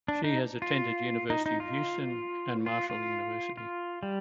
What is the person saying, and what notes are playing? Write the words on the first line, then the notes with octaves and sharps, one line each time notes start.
She has attended University of Houston and Marshall University.
D4
D#4
F4
D#4
D#4
F4
F4
F4
F4
G3